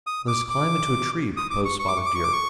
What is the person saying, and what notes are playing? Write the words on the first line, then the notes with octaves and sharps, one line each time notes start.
"Let us climb into a tree," proposed Spotted Deer.
D#6
D6
D6
D#6
D6
C#6
C#6
D6
C#6
D6
C#6
D6
C#6